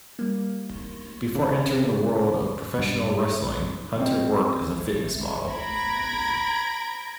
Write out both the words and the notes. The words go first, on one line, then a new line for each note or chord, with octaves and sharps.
Before entering the world of professional wrestling, Hunter worked as a fitness model.
G3 A#3
C#3
G2
C4 D#5
A#5 B5 G#6 A#6 D7